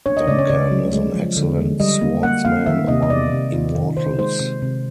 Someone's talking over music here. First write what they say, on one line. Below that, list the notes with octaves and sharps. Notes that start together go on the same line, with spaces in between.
Duncan is an excellent swordsman among Immortals.
D4 C#5
D#5
C#3 D5
C#5
C#3 D5
F#3
G#3
F3
D3
G#3
G3 D#5
A#3
A#3 F#5
A#3 F5
D#3 E5
C3 D#5
D#5
C3 D5
C3
F4
D#3
D#3 C5
G#3 C5
C3
C3